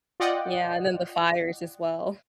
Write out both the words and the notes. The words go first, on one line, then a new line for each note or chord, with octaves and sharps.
Yeah, and then the fires as well.
F4 D5 D#5 F#5 G5